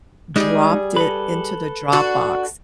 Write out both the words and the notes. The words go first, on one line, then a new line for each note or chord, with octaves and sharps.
dropped it into the drop box,
G3 G#3 D#4 G#4
A4 B4
D4 F#4